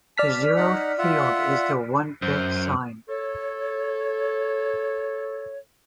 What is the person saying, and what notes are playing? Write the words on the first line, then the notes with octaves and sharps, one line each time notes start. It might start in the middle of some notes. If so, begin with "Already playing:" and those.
The zeroth field is the one-bit sign.
D5 A5 F6 B6
D#4 F#5
F4 E5 F#5
F#2 C5
A4 C#5